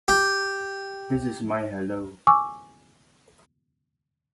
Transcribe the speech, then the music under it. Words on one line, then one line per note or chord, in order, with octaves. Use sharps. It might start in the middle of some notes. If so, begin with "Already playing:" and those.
This is my hello.
G4
G#5 C#6 D6 E6